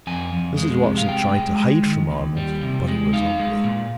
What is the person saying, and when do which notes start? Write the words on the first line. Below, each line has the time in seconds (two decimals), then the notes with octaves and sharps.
Mrs. Watson tried to hide from Arnold, but he was ugly.
0.07 F2 G#5
0.33 F2
0.57 G#3
0.83 C3
0.98 F5
1.09 G#3 G5
1.34 G#3
1.60 G#3
1.85 D#3
2.11 D#2
2.37 G3
2.63 C3
2.88 G#3
3.13 D#4 F5
3.39 G#3
3.64 A#2